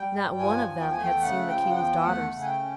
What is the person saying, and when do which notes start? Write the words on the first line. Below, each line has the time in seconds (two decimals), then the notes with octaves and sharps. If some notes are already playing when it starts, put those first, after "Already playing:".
Not one of them had seen the King's daughters.
Already playing: G3 G5
0.11 G2
0.38 F3 G#5
0.67 E2
0.81 G5
0.91 A3 G#5
1.03 G5
1.21 C#3 F#5
1.48 F3 G5
1.70 F#5
1.76 E2 G5
2.04 A3 F#5
2.31 C#3
2.41 G#5
2.45 G5
2.59 C#4